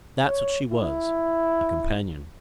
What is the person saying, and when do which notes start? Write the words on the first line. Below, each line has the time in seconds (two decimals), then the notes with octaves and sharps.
That's what she was,--a companion.
0.27 C#5
0.72 E4